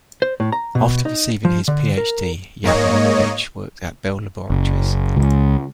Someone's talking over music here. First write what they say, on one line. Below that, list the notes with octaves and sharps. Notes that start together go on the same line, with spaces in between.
After receiving his Ph.D., Yablonovitch worked at Bell Laboratories.
C5
A2
A#5
B2
D#4
F3
D3
A#4
G#2 A#3 C#5 D#5
F#1
C#2